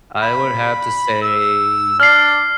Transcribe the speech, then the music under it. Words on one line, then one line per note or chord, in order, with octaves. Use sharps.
I would have to say,
B5
E6
D4 D5 F6 C7